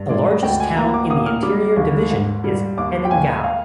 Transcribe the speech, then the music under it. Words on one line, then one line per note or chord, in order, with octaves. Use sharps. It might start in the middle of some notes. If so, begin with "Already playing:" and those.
The largest town in the Interior Division is Keningau.
Already playing: G2
G#3 D5
D#5
D2 G5
G#5
A#3 A#5
D6
A#3 D#6
F6
G3 D6
D#2
G#2
G3
D#2 D6
G5
D#2 G#5
F5